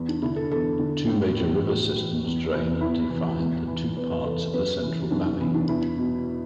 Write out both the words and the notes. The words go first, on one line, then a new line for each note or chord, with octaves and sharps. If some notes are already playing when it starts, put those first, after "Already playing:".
Two major river systems drain and define the two parts of the Central Valley.
Already playing: E2
D4
D3 E4
A4
E2 A4
D3
A2
E3
A2 F#4
E3
E2
E3
E2 E4
E3
E2
E3
E2 B4
B4
E3 A4
A4
F#2 B4
E3
F#2 D4
D4
E3 B3
D4
E2 E4
B2